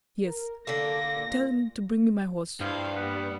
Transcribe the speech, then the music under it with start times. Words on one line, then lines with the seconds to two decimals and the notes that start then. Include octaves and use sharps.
"Yes, tell them to bring me my horse."
0.24 A#4
0.67 D3 A#3 A4 A#6
1.16 A#2
2.60 G2 F3 E4 F5
2.96 G3 A#3 B3